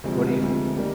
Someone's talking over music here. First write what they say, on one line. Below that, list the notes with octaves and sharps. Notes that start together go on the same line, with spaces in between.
what are you th
D2 C3 F3 G#3
D2 C3 F3 G#3
D#3 G3 A#3